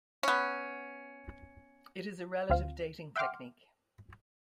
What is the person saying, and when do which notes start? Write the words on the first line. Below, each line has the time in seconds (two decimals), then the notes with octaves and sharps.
It is a relative dating technique.
0.23 B3 C#4
2.50 D2 C4 F4 F5
3.16 E5 F#5 G5 C6 D6 F6